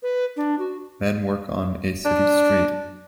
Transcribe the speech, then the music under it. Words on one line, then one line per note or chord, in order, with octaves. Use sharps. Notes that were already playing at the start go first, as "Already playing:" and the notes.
Men work on a city street.
B4
D4
F#4
D4